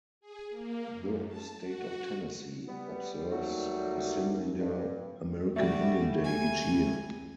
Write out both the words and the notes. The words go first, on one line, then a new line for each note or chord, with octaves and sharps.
The state of Tennessee observes a similar American Indian Day each year.
G#4
A#3
F#2
A5
F#4
G3 B3
D#2 F#3 A3
G2
G3 A3 F#4 D5
G#5